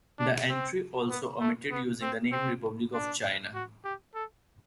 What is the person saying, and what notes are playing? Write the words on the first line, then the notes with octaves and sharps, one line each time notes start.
The entry also omitted using the name "Republic of China".
D4
C4
B3
A3
B3
C4
C4
D4
F#4
G4
A4